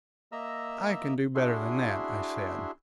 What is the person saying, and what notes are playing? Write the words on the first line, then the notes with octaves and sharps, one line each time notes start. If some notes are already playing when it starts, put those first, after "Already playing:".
"I can do better than that," I said.
A#3 D#5 E5 A#5 E6
D4 E4 F#4 G#4 E5 C6